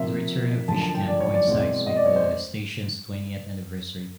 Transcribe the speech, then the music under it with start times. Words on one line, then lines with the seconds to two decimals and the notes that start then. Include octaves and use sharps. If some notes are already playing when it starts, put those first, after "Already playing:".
The return of FishCam coincides with the station's twentieth anniversary.
Already playing: C3 F3 A#3 E5
0.68 F#2 D3 F3 A5
0.81 A5
0.95 G5
1.07 D5
1.21 C#5
1.34 D5
1.47 E2 B2 G#3 C4
1.86 D#5
1.96 D5
2.06 C#5
2.16 C5